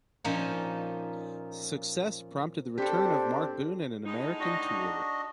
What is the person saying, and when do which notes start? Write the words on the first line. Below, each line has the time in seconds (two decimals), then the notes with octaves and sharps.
This success prompted the return of Mark Boon and an American tour.
0.24 A#2 F3 C#4 D#4
2.78 C4 D4 G4 A4
4.06 A2 G#3 D#4
4.40 D4 F#4 D#5